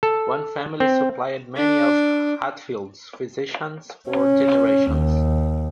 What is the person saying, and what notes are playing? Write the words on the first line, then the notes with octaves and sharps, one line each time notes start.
One family supplied many of Hatfield's physicians for generations.
A4
C4
D4
C#4
D#2